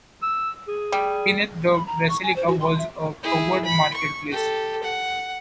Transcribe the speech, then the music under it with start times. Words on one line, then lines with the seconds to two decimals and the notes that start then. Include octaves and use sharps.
Beneath the basilica was a covered market place.
0.22 E6
0.68 G#4
0.92 G3
1.75 B5
1.86 A#5
2.09 C#6
2.23 G#5
2.36 C5
2.48 F#4
2.60 C6
2.78 E5
3.23 E4 G#4
3.65 B5
3.94 C#6
4.31 G4 A4
4.83 F#5